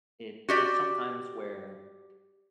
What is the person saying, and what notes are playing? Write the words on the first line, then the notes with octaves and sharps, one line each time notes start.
it there's sometimes where,
F#4 G4 D5